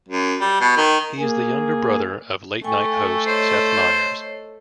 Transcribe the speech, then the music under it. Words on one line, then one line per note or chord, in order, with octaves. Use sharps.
He is the younger brother of "Late Night" host Seth Meyers.
F#2
G3
B2
D#3
A#3 G#4
A3 G5 G#5 C#6
C5 C#5 D#5